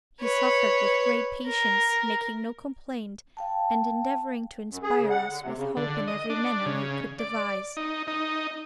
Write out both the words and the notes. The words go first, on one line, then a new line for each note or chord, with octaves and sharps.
He suffered with great patience, making no complaint, and endeavouring to inspire us with hope in every manner he could devise.
B4 C#5
A#4
F5 G5 A5
F#2
G#4
C#3
F#5
D3
C3
C#3
D3
D#5
D4
C#3
D5
D#4
D#4